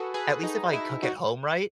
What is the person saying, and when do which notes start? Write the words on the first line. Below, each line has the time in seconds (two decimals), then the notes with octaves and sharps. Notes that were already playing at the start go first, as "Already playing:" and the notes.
at least if I cook at home, right,
Already playing: F#4 G#4 A4 B4
0.14 G#4 B4
0.43 D#4
0.73 E4
1.02 D#4 F#4